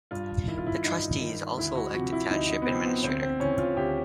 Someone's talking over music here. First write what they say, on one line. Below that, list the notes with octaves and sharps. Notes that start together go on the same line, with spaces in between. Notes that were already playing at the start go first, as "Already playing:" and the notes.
The trustees also elect a township administrator.
G2 F4
D#3 E4
F4
E4
G2 D#4
D#3
D2 E4
F#4
C3 F3 F#4
E4
D2 D#4
D#4
B3
C3 F3 C4
B3
D2 C4
C4
C#3 E3 C#4
F4
D2 G4